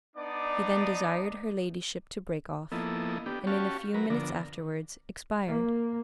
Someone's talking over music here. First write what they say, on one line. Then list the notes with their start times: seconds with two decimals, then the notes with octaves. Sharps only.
He then desired her ladyship to break off, and in a few minutes afterwards expired.
0.16 B3 D4 D#4 D5 D6 D#6
2.72 F3 A#3 B3 E4 A4 D#5
3.26 B3 D4 G4
3.47 C#4 F#4 G4 F5 A5 C#6
3.94 F#3 A#4 B4
4.10 D3 F3 B3 D4 A#4
5.49 A#3